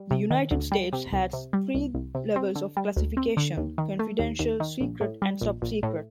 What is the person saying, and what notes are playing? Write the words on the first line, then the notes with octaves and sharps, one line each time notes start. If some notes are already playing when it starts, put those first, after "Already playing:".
The United States has three levels of classification: Confidential, Secret, and Top Secret.
Already playing: G3
C3
D#3
D2
G3
C3
C2
C3
G3
C2
C2
C3
C4
D3
G3
D2
C4
D3
D#2
D#3
A3
D#2
D#2
D#3
A#1
A2
G3
A#1
A#1
A2